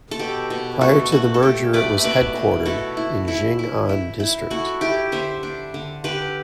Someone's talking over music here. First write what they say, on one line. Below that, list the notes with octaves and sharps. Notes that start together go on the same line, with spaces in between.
Prior to the merger it was headquartered in Jing'an District.
A4
B2 G4
B2
A3 F#4 A4
A3 F#4
A4
A3 G4
A3 B4 D5
E5
B2 B4 D5
B2
E4 F#4 A4
E4
E4
E4
E4
E4
E4 F#4 A4
E4 G4
D3 C5 E5
D4
D3
D3 G4 B4